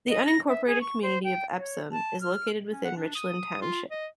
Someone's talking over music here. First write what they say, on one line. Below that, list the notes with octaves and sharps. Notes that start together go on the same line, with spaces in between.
The unincorporated community of Epsom is located within Richland Township.
D#5
A#6
E5
G#4
C#6
C5
G5
C#5
A5
F6
C#4
F#5
D4
D#6
F4
D#5